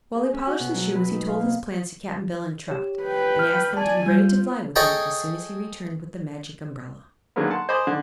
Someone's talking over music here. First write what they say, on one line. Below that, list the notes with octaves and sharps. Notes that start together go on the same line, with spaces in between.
While he polished the shoes he told his plans to Cap'n Bill and Trot, and asked them to be ready to fly with him as soon as he returned with the Magic Umbrella.
G#4
C#4
F#4
B2
F#3
B4
D#4
F5
A#3
G4 C#5
B4 G5
F6
D5 G#5 A5
G3 F4 G6
G#4 A4 C#5 D#5 G5 A5
D3 D#3 F#3 G#3 A#3 B3
F#5 A5 C6
C5 D#5 G#5 B5 D6
D3 D#3